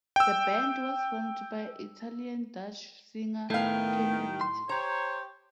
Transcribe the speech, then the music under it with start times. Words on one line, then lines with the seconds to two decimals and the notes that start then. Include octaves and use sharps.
The band was formed by Italian-Dutch singer Kemi Vita.
0.16 G5 E6
3.50 A2 D#3 A3 B3 F5 G5
4.41 C6
4.69 G4 C5 C#5 A#5